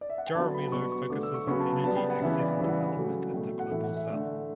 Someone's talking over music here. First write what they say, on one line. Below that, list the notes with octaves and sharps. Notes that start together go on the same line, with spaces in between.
Jaramillo focuses on energy access and development in the Global South.
D5
E5
F#5
G5
D3 F#3 B3 A5
B5
B2 G3 B3 C#6
C#6
D3 A3 D6
E6
C#6
C#3 F#3 B3 C#6
A5
A5
C#3 G3 B3 A5
G5
F#5
C#3 E3 B3 E5
D5
C#3 E3 G3
F#5
F#5
C#3 F#3 A3
B2 A3 G5
F#5
A2 E3 A3 E5
F#5
E5
D3 A3